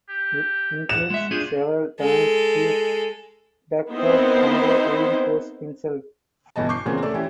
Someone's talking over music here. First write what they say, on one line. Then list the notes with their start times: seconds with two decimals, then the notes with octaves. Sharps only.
It includes several tunnels Heist dug out and reinforced himself.
0.09 G4
0.89 F#5 E7
1.10 G#3 E5
1.31 D4 F4 G4 G#4
2.00 G#3 A4
3.92 B3 C4 D#4 E4 A#4 C5
6.56 G1 B2 E3 D#5 A5
6.69 C#6 D6 G6 C7
6.86 E2 A#2 C#3 E3 A#3 C4
7.02 A3 D5 E6
7.14 E3 C#4 E4 G4